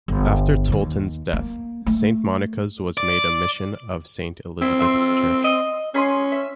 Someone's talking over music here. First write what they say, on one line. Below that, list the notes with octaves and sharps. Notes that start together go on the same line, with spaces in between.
After Tolton's death, Saint Monica's was made a mission of Saint Elizabeth's Church.
G1
D#2
A#3
A3
D5
C4 E4
E5 C6
D#5
C#4 G#4 B5 C6
E5